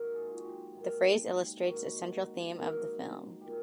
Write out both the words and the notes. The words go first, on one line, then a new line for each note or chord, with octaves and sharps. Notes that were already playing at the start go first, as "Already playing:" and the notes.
The phrase illustrates a central theme of the film.
Already playing: G#2 D#3 F#3 A#3
G#4
F4
F#4
G4
G#2 D#3 F#3 A#3
G#2 D#3 F#3 A#3 F#4
G#2 D#3 F#3 A#3
A#2 G3 A#3 G4